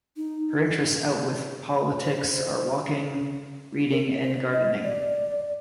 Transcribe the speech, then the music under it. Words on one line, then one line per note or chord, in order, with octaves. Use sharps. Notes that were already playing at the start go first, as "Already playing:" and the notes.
Her interests outwith politics are walking, reading and gardening.
D#4
C5
A#4
C5
D#5
D5